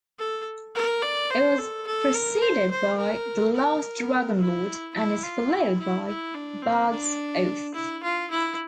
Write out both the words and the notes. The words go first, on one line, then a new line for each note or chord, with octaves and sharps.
It was preceded by "The Last Dragonlord", and is followed by "Bard's Oath".
A4
A#4
D5
C5
A4
A4
A#4
C5
C5
A#4
A#4
E4
E4
F4
E4
E4
E4
D4
C4
D4
E4
F4
E4